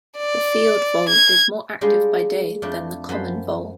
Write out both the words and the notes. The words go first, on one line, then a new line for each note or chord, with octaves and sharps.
The field vole is more active by day than the common vole.
D5
G#6
G3 G#3 D4 F4
F2 A3 D4 F4 G5
F#2 F3 B5 C6